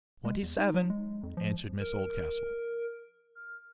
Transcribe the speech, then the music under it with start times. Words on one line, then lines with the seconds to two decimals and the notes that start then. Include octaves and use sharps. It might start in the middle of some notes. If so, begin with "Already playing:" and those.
"Twenty-seven," answered Miss Oldcastle.
0.25 G#3
0.43 E2
0.58 D#4
0.74 F#3
0.90 G#3
1.23 F2
1.37 F3
1.79 A#4
3.35 F6